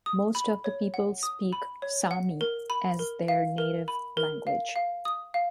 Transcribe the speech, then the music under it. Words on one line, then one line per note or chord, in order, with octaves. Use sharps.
Most of the people speak Sami as their native language.
D#6
B5
C#5
F#5
D#6
B5
C#5
F#5
A#4
B5
A#4
F5
A#4
B5
A#4
F5
F5
D#6
F5